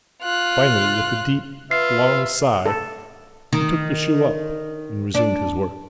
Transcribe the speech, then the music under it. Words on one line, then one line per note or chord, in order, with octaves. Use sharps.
Finally, with a deep long sigh, he took the shoe up, and resumed his work.
F4 F#6
F4 B4 E5 C7
A4
D#3
D4